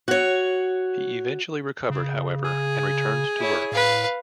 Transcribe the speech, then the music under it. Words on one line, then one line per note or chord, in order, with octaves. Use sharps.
He eventually recovered, however, and returned to work.
F#4 C#5
C#3
G#4
E4 C#5
A2 B4 F5